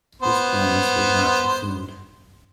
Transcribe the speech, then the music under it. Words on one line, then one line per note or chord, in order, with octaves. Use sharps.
This promise was not fulfilled.
B3 C5